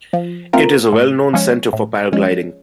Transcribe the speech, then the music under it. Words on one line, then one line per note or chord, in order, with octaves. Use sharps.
It is a well-known centre for paragliding.
F3
A3 C4 F4 A#4
A2
F3 G#3 C#4
A2
F3 G#3 C#4